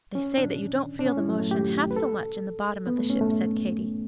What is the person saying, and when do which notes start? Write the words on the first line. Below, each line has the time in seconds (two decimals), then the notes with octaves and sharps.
"They say that you don't feel the motion half so much in the bottom of the ship," said Katy.
0.15 C#4
0.38 D4
0.99 D4
1.06 C#4
1.17 E4
1.28 F#3
1.40 A3
1.51 G4
1.91 B4
1.96 A4
2.87 B3
2.98 A3
3.10 C#4
3.21 A3